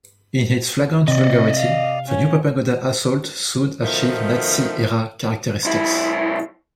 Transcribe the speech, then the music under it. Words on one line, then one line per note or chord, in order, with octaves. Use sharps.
In its flagrant vulgarity, the new propaganda assault soon achieved Nazi-era characteristics.
C3 D5 D#5
F5
C#4
B2 D#3 F3 A3
B1 E4